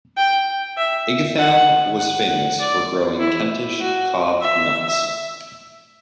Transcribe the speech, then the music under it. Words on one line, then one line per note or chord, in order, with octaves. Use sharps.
Ightham was famous for growing Kentish cob nuts.
G5
E5
F#5
F#5
F#5
D5
E4
F#4
E5